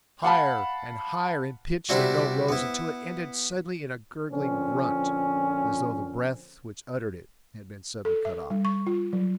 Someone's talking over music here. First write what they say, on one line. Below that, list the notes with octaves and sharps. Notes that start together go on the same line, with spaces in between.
Higher and higher in pitch the note rose until it ended suddenly in a gurgling grunt, as though the breath which uttered it had been suddenly cut off.
F5 F#5 A5 B5
C3 G3 D4 E4 F#4
B3 E4
A#2 D3 F3 C4 C#4
A4
E5
G3
C#6
F4
F#3